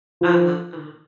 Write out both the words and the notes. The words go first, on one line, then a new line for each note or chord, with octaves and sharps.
Uh-huh. Uh-huh.
F3